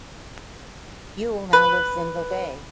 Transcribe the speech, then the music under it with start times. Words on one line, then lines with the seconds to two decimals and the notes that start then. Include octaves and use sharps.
Uhl now lives in Vevey.
1.53 B4